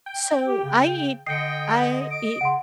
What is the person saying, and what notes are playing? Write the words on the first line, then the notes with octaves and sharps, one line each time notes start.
So, I eat I eat
G5
G4
C#3
D3 D#5 G5 C7 C#7
D7
C#3 F#5 C6